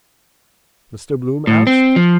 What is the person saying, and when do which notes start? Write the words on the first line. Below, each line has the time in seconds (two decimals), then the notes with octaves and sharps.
Mr Bloom asked.
1.47 A2
1.67 C4
1.96 F3